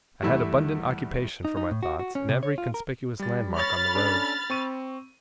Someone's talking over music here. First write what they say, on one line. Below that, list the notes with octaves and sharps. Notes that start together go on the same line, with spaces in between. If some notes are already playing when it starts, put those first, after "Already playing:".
I had abundant occupation for my thoughts, in every conspicuous landmark on the road.
E2 G3 A3 E4
D#4
D#4
A2
F#4
F#4
C#4
C3
C#5
F4
A#4
G3 A6
C#5 B5 C#6 F6 A6 A#6
C#4 D4 A4
C4 C#6 D#7